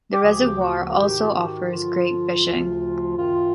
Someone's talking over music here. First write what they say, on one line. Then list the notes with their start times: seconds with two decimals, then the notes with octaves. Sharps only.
The reservoir also offers great fishing.
0.12 G4
0.23 D2 C#3 F3 G#4
0.41 G4
0.59 F#4
0.78 F#4
0.89 F#4
0.96 G#2 D#3 G4
1.22 F4
1.33 F#4
1.69 G2 D3 F3 F4
2.43 D2 C#3 F3
3.16 F#2 D#3 F4